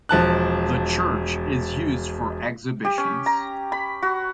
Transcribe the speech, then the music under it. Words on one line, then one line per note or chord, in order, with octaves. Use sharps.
The church is used for exhibitions.
E1 F3 A5 F#6
G4
C#4
A#5
B5
F#4